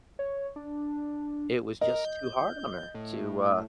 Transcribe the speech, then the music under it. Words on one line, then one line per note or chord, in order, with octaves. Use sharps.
it was just too hard on her to, uh,
C#5
D4
A#4 D#5
G6
A2